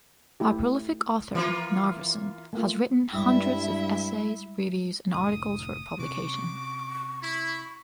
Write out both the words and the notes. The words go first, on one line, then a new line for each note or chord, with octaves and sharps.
A prolific author, Narveson has written hundreds of essays, reviews and articles for publication.
A3 E4 G4
E3 F3 A#3 F4
A3 A#3 F4
G2 G3 G#3 E4 E5
F1 A2 D3 D#6
C3 C#4 C#6 D6
E4 B5